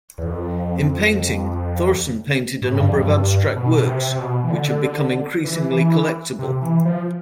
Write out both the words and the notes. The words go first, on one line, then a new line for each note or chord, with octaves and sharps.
In painting, Thorsen painted a number of abstract works, which have become increasingly collectible.
E2
F2
A2
G2
F2
G2
B2
B2
C3
C3
B2
E3
D3
E3
C3
E3
F3